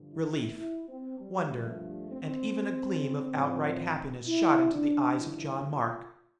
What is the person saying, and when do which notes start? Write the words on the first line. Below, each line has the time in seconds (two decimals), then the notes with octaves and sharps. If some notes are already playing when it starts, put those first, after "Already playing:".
Relief, wonder, and even a gleam of outright happiness shot into the eyes of John Mark.
Already playing: G2 D3 F3
0.11 E4
0.57 E4
0.88 C4
1.20 G3
1.49 G2 F3 A3
1.80 A3
2.11 C4
3.34 A2 F3
4.27 E4
4.72 D4
5.18 G2 D3 F3 E4
5.64 F4